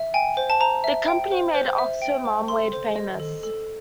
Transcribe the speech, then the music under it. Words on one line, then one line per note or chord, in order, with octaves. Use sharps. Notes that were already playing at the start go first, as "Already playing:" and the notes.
The company made "Oxford Marmalade" famous.
Already playing: E5
G5 G#5
C5
A5
C5 A#5
E5
G5
C5
C5
E5
G5
C5
A4 C6
C5
D#5
A4
A4